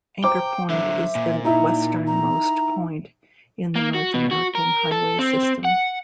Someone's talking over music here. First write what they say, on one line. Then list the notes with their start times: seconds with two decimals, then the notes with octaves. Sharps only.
Anchor Point is the westernmost point in the North American highway system.
0.24 C5 G5 A#5 D6
0.70 D3 F#3 E5
1.15 A#2
1.45 D#4 E4 A#5
2.07 A#5
3.76 A#3
3.95 F#4
4.14 B2
4.31 F#4
4.55 A#4
4.92 A4
5.19 C4
5.65 F#5